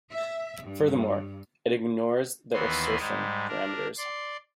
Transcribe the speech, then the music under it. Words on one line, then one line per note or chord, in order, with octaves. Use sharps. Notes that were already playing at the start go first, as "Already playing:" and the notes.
Furthermore, it ignores the assertion parameters.
E5
G2
D#2 E3 B3 F#4 B4 C6
G#2 G3 G#3
D4 A#4
D5 C6